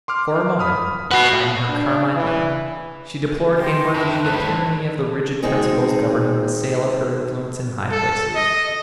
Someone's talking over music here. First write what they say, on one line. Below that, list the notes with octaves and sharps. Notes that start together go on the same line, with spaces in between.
For a moment, biting her carmine lip, she deplored inwardly the tyranny of the rigid principles governing the sale of her influence in high places.
C6 D6 F6
B5 D#6 F6
F#4 B4 F#5 F#6 C7
D4
E3
D#5 G5 C6
F2 E4
F#6
A2 G3 B4 C5
B2 D#3 G#3 C4 D#4 G#4
A4
D#5